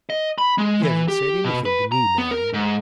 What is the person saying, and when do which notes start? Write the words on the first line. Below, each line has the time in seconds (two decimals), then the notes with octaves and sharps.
'He hasn't said anything to me, Marian.'
0.10 D#5
0.38 B5
0.58 G#3
0.83 E3
1.08 G4
1.44 B2
1.66 B4
1.92 A#5
2.18 B3
2.31 A#4
2.53 G#2